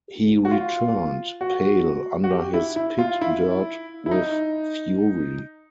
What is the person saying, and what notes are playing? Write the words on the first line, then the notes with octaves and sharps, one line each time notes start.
He returned, pale under his pit-dirt with fury.
F#4
F4
F#4
F#4
G4
E4
E4
F4
E4
E4
D#4